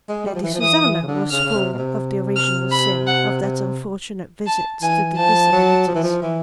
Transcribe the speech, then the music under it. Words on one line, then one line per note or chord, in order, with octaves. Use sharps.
Lady Susanna was full of the original sin of that unfortunate visit to the Disabilities.
G#3
G3
F3
E3
F3
E3 D#6
E3
C#3
D3
C#3 F6
C#3
C3
B2
C3
F6
B5
F#5
C3
A5
E3 G#5
F3 A5
F#3
F3
E3
F3
E3